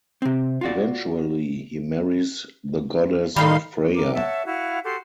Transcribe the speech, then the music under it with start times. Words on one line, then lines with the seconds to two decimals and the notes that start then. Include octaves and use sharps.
Eventually, he marries the goddess Freya.
0.22 C3 C4
0.61 F4 F#4 D5
3.36 A2 D#3 G3 D#4 F5 C6
3.94 A#4 D6
4.14 C#5 E5 F#5 A5
4.46 E4 F#4 F5 F#5
4.83 F#4 G4 A4 C6